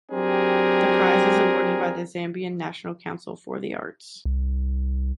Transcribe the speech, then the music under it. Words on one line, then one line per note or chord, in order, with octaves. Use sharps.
The prize is awarded by the Zambian National Council for the Arts.
F#3 C4 D4 G4 G#4 A#4
C2